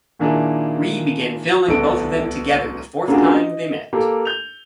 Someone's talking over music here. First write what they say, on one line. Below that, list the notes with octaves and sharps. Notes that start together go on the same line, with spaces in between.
Ree began filming both of them together the fourth time they met.
A#2 D#3 A#3 D4 E4 G#4
D1 C2 B3 A4 D7
A#3 C#4 D4 F4 F#4 G#4
D#5
A#3 G4 A4
G6 F7